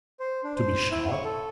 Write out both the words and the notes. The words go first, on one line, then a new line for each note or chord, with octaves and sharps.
To be shot?
C5
D4
C5
E4
C#6
A4